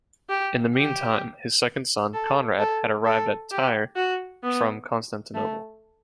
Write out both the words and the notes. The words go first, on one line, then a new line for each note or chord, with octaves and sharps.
In the meantime, his second son, Conrad, had arrived at Tyre from Constantinople.
G4
G4
A4
A4
A4
G4
F#4
B3
A3